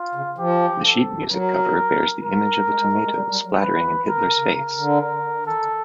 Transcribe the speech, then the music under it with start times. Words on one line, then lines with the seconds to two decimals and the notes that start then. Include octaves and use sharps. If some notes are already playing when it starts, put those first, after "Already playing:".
The sheet music cover bears the image of a tomato splattering in Hitler's face.
Already playing: F4
0.15 C#3
0.38 F3 G4
0.85 A4
1.31 F#3 A#4
2.23 A#4
2.70 G#3
2.81 G#3
2.93 A3
3.04 G#3
3.16 G3
3.31 G3
3.46 F#3
3.62 F3 B4
3.85 E3
4.08 D#3 A#4
4.24 C#3
4.39 C#3
4.54 C#3 A#4
4.78 D3
5.01 A#4
5.47 D#3 A4
5.63 D3